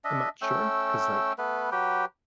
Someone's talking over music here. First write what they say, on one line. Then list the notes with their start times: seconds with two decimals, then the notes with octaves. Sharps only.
I'm not sure 'cause, like
0.04 D4 D#5 E5
0.42 A3 C#4 G5 E6
1.38 A3 B3 B4
1.72 F#3 G4 B4 G5